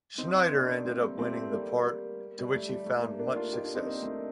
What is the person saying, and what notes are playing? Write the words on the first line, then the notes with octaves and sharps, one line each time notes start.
Schneider ended up winning the part, to which he found much success.
C4 D#4
A#3 D4
A3 C4
G3 A#3
A3 C4
G3 A#3
G3
A3
G3
A3
G3 A#3
A#3 D4
D4 F4
D#4 G4
D4 F4
C4 D#4
A#3 D4
A3 C4